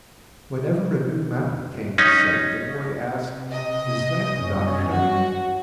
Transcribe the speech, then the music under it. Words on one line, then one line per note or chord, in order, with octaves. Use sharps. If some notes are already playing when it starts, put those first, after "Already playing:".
Whenever a new mountain came in sight the boy asked, "Is that the Dachstein?"
C#4 D#4
C3
D#5
G1 F#2 C#4
F#4